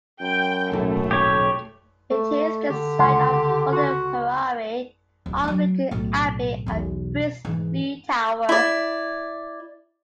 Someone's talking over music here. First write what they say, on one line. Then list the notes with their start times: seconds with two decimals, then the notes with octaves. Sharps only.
It is the site of Hulne Priory, Alnwick Abbey, and Brizlee Tower.
0.21 F#2 G5
0.72 D#1 B1 A2 A3
1.11 G4 C#5
2.11 A3
2.70 D3 G4
2.99 C#2 F#5 C6
3.73 F#4
5.26 D1
5.44 E3 F#3
5.91 B1 A2
6.66 B1 E2
7.45 G#2 E3
8.49 E4 D5